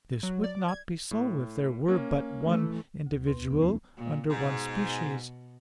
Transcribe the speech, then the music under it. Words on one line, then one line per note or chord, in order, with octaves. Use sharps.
But this would not be so if there were but one individual under one species.
F#3
D5
G#6
A2
A#3 C#4
E3 A3
D2
E2 B2 B3 B4 C6
F#3 B3 D4
E3 F3 G#3 A3 C#4 E4
A#2
G#2 B2